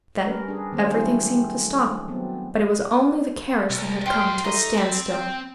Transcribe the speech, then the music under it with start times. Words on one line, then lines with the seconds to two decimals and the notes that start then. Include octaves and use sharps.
Then everything seemed to stop, but it was only the carriage that had come to a standstill.
0.26 G3 C#4 A#4 B4
0.48 D4 G#4
0.72 D#3 A#3 C#4 C5
0.92 F#3 G3 A3 C4 D4 E4
1.86 D4
2.08 F#3 B3 C4
3.70 C2
4.06 G4 B4 F5 G5 C6
4.44 A3 D#4
4.78 C4 A4 B5
5.10 G5